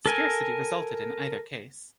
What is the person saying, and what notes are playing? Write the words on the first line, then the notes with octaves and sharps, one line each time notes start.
Scarcity resulted in either case.
A4 A#4 G#5